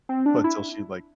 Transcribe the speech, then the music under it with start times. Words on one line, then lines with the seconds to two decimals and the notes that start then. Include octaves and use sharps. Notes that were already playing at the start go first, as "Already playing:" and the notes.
until she, like
0.09 C4
0.26 D4
0.44 E4